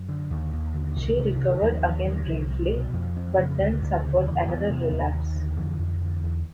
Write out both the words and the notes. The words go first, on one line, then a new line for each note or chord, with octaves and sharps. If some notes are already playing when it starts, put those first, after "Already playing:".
She recovered again briefly, but then suffered another relapse.
Already playing: F#2
D3
D#2
D#2
D3
C2 D#3
C2
D#3
D3
C3 D#3
D#2 D#3 F3
D#2
D3
C2
C2
B2
F2
F2
C#3
D2
D2
C#3
E2
E2
C3
D#2
D#2
D3
F2 D3 E3
F2
D3
E2